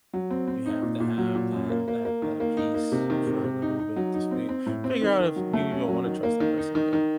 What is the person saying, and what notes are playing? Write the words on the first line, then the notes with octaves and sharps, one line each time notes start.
you have to have that that that peace for a little bit to speak figure out if you even want to trust that person again.
F#3
C4
C4
D#4
A#2
A#2
F#3
A#2
F#2
A#3
A#3
A#3
D#3
A#3
D#4
A#3
C3
D#3
C3
C3
D#4
D#4
F#3
D#4
C4
C4
A2
C4
D#3
D#3
F#3
A3
C#4
F#3
D#3
A#3
D#3
D#4
D#3
D#3